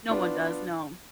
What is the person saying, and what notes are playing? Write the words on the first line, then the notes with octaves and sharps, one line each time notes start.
No one does, no.
B3 D4 F4